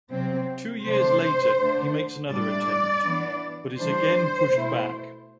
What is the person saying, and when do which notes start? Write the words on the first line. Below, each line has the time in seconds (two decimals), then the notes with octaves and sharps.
Two years later he makes another attempt, but is again pushed back.
0.10 C3 F#3 C4
0.83 C3 F#3 A3 D4 C5
1.57 D3 A3 D4
2.30 A2 G3 D4 D5
3.04 E3 B3 D4
3.77 E3 G3 D4 C5
4.51 B2 A3 E4